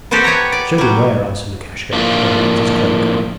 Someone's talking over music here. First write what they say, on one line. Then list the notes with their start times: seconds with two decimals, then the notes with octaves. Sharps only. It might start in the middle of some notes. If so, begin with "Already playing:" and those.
'Showed him where,' answered Lukashka, spreading out his cloak.
0.11 B3 C4 F#4 G4 A4
0.24 B3 C#5 G5 A#5
0.52 D5
0.78 F#3 G3
1.92 F2 A2 A#3 D4 F4